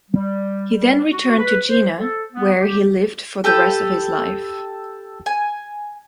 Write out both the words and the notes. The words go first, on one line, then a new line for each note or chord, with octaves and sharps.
He then returned to Jena where he lived for the rest of his life.
G3
G3
F#4
B4
C5
A4
B3
G4
G4 A4 B4 G5
G#5